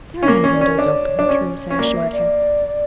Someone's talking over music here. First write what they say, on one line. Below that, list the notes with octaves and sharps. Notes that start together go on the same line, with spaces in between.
"There are no windows open," Theresa assured him.
C#4
A#3 A#4
C#4
D5
C#4
A#4
D4 C#5
D4
C#4
C#4
A#3 D5
E5
D5